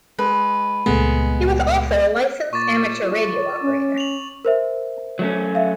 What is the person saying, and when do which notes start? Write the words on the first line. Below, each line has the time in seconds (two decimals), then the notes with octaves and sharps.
He was also a licensed Amateur Radio operator.
0.19 G#3 B4
0.86 C#2 A#2 G#3 A3 B3
2.53 A#2 C#6 D6 A6
3.01 F4
3.63 C#4
3.98 F7 F#7
4.45 A#4 C5 E5
5.19 F#3 A3 C#4
5.55 E5 F5